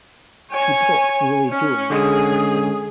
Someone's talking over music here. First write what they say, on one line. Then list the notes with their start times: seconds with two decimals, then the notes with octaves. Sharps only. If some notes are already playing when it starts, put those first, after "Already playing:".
She brought Lily Jones for herself.
0.51 C#5 G#5
1.51 C#4
1.90 D3 G#3 C#4 G#4